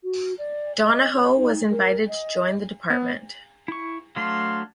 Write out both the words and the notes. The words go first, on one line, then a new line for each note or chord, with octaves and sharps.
Donahoe was invited to join the Dept.
F#4
D5
D#5
C#5
D#4
A#4
D#5
B3
E4 C#6
F#3 A3 D4 F5 C6